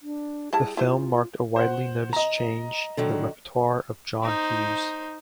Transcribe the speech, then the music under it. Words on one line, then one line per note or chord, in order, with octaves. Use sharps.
The film marked a widely noticed change in the repertoire of John Hughes.
D4
G3 E4 G#4 A5
E4 F4 C5
C5 F#5
D#5 A#5
D3 D#3 F#3
D#4 C5